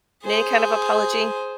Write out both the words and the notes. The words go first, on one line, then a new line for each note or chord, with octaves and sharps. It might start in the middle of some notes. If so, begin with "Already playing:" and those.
in any kind of apology?
G#4 C5